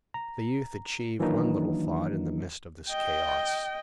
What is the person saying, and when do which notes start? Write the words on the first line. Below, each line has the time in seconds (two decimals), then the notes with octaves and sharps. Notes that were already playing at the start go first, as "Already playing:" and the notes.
The youth achieved one little thought in the midst of this chaos.
0.14 A#5
1.20 D#3 E3 F#3 A#3 D4 D#4
2.89 D#5 G5